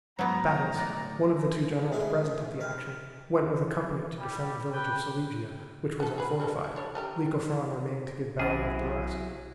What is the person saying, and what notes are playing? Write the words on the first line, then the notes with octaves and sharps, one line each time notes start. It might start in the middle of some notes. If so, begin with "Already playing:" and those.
Battus, one of the two generals present at the action, went with a company to defend the village of Solygia, which was unfortified; Lycophron remaining to give battle with the rest.
G#2 E3 F#3 B3 A#5
D2 A2 D5
A1 G#3 E4 G#5
A#4 B4
G3
G4 B4 G5
B3 A4
G#4 B4
G3 G#3 A4
E4
D4 C#5
A3 G4 A#4
B1 D#3 F#3 C#4 E4 G#4 C5 F5